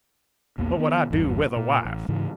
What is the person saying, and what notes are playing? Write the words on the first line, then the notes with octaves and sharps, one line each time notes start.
What would I do with a wife?
A#1 E2 A#3
D#3 B3
G#1 E2 G2
A#2
A1
G#2 C#3 E3